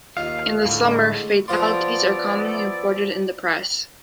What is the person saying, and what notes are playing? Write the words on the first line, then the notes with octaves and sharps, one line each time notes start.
In the summer fatalities are commonly reported in the press.
D#2 F4 D#5 F5
A2 D3
G#3
F3 B3 E4 D5 F5 C6